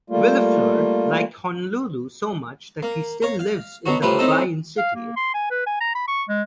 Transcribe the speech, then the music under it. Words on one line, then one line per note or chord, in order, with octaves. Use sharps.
Villaflor liked Honolulu so much that he still lives in the Hawaiian city.
G3 A3 A#3 F4
A#3
C#5 F5 A#5
F5
B2 F#3 F#4
A2 F3 G3 B4 A#5
A2 C4 D#4 A4
F5
A#3
C6
G#5
B4
G#5
A#5
B5
C#6
G#3